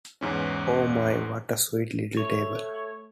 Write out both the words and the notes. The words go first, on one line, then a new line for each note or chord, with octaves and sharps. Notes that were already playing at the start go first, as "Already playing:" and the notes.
Oh my, what a sweet little table!
E2 G#2 C#4
A3 C#5